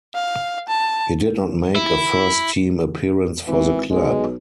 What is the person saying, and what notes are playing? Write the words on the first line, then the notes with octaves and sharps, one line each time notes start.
He did not make a first team appearance for the club.
F5
A5
E4
G#1 E3
B1 G#3